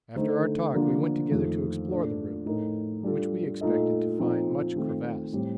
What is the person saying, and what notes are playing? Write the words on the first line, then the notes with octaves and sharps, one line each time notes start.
After our talk we went together to explore the route, which we expected to find much crevassed.
D3 A3 D#4 A4 C5
D3 F3 A#3 D4 F4
F2 D#3 A3
A#2 A3 D4
A2 A3 D#4 A#4
G3 D4 F4 A4
A#2 A3 D#4 A4 D#5
A#2 F3 C4 D#4 A4
D#3 A3 C4 F4
A2 G3 C4